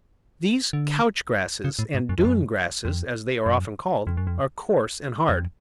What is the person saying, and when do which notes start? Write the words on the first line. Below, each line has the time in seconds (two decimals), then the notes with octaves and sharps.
These Couch Grasses and Dune Grasses, as they are often called, are coarse and hard.
0.73 D3
1.64 C#3
1.79 A2
1.94 G#2
2.09 F#2
2.18 F2
2.25 F#2
2.85 F2
3.46 F#2
4.07 F2
4.17 F#2
4.27 F2
5.29 F2